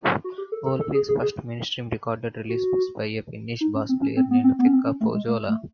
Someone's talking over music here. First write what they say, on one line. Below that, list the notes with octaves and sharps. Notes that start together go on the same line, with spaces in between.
Oldfield's first mainstream recorded release was by a Finnish bass player named Pekka Pohjola.
F#4
G4
A4
A4
A4
G#4
G#4
G#4
F#4
D#4
C#4
C4
C#4
C4
B3
C4
B3
C#4
C4
C#4
A3
G#3
A3
A3